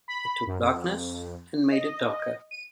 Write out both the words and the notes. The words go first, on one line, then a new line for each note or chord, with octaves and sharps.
It took darkness and made it darker.
B5
F#2
F2
D#5
D#7